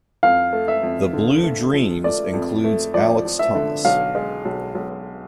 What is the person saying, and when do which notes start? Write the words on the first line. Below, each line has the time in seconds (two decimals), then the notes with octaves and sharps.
"The Blue Dreams" includes Alex Thomas.
0.23 F2 F5
0.53 A3
0.68 E5
0.83 F2
1.13 D3
1.43 A3
1.74 F3
2.04 A3 D5
2.33 F2
2.64 A3
2.94 F3 D5
3.25 F3
3.39 E5
3.55 D3
3.85 B1 F5
4.15 G#3
4.45 B1
4.75 B1